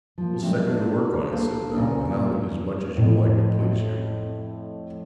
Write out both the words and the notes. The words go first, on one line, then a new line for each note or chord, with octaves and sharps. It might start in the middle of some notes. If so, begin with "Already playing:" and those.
"We'll set you to work on it," said Bell, "and I'll eat as much as you like to please you."
F3 A#3
F#3 G#3 A3 C4 C#4
A#3 D4
A#3 D4 A4 B4 C5
A#2 C#3 C4
F2 A2